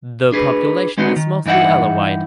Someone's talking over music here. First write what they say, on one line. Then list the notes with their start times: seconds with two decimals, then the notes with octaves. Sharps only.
The population is mostly Alawite.
0.32 D4 G#4 B4
0.98 G#3 B3 C4 D4 D#4 F#4
1.16 D#3
1.46 G2 E3 D#4 E5 F#5